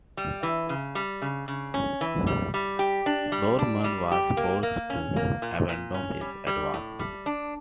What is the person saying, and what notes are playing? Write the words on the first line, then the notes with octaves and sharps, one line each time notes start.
Doorman was forced to abandon his advance.
G3
E3
C#3
G3
C#3
C#3
C#4
E3
G3
G3
G4
D4
G3
D4
G3
G4
A#3
A#3
C#4
A#3
A#2
A#2
C#4
G3
G3
A2
G3
D4